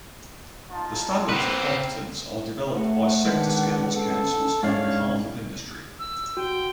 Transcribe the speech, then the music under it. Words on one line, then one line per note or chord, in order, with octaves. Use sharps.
The standards of competence are developed by Sector Skills Councils on behalf of industry.
D#4 F4 A5
A#3 C4 B4 C5
A3 F#5
D#3 G#3 B3 D4
C#4 A4
G#2 D4 C#5 D5 F5
E6
F#4 G5